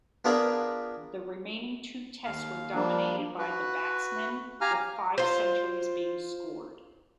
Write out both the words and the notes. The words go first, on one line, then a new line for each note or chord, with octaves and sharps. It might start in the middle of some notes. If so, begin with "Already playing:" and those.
The remaining two Tests were dominated by the batsmen, with five centuries being scored.
B3 D4 F4 G#4 A#4 B5
D#2 F5
F3 G3 A#3 D4
F#4 B4
G4 F5 G#5 A#5 F6
F4 C5